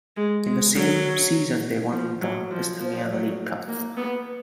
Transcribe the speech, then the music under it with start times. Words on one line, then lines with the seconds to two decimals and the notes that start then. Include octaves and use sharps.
In the same season they won the Isthmian League Cup.
0.17 G#3
0.46 G#3
0.75 F#3
1.92 F3
2.21 F#3
2.51 F3
2.80 F3
3.10 F#3
3.68 A#3
3.97 B3